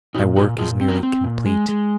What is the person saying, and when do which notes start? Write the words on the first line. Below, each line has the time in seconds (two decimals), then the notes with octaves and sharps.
My work is nearly complete.
0.14 A#2 D#4 F#4
0.36 A#2 D#4 F#4
0.58 A#2 F4 G#4
0.81 C4
0.88 F#4 A#4
1.03 C4
1.24 A#2
1.46 G#3
1.69 G#3